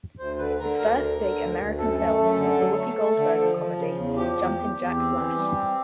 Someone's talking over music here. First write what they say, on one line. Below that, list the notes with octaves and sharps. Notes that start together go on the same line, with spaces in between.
His first big American film was the Whoopi Goldberg comedy "Jumpin' Jack Flash".
D2 C5
D3 B4
D3 A#4
D2 A#4
D3
D3
D2
D2
F#2 A4
A3
F#2
D3
F#3
A3
A3
D3
F3
F3
C#3
E2
F3 G4
E2
E2
E2
C4
E3
G3
C4